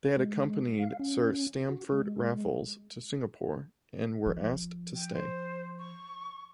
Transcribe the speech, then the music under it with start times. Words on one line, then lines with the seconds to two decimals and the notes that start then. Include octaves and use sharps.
They had accompanied Sir Stamford Raffles to Singapore and were asked to stay.
0.17 G#3
0.78 F5
0.99 C#4
1.69 F#4
1.92 G#3
4.26 F3
4.95 G5
5.13 C5
5.79 C#6